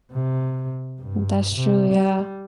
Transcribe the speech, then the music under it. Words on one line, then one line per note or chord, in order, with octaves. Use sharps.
That's true, yeah.
C3
G2
C3
G3